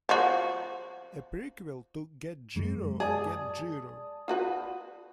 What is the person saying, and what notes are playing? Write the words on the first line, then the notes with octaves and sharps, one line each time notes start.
A prequel to Get Jiro!, Get Jiro!
F3 F#4
F#2 G#3
G#4 D5 A5 D#6
F4 F#4 B4